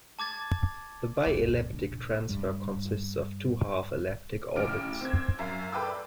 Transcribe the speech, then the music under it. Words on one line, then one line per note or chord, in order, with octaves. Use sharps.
The bi-elliptic transfer consists of two half elliptic orbits.
A5 D6 G#6 A6
F#1
A#2
D4
A#2
G2 G3
A1 C#3 D6 F6 D7
C4 D6 G#6
F#2 E5 F5
A4 B4 G5 D6 E6
D5